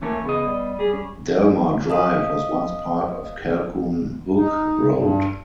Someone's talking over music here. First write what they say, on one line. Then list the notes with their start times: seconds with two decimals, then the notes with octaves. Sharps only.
Delmar Drive was once part of Calcon Hook Road.
0.02 E3 A3 A#3 C#4
0.25 C#3 B3 D#5
0.45 G3
0.79 G3 G#4
0.93 C#4
1.90 D#5 F5 D#6
4.37 D#4
4.94 G2